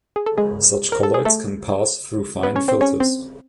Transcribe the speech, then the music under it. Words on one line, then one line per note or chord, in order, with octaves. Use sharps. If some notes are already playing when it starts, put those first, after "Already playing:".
Such colloids can pass through fine filters.
G#4
A4
G#3 G#4
A#4
A4
G#4
A3 A4
B3 B4
C#4 C#5
C4 C5
C#4 C#5
C4 C5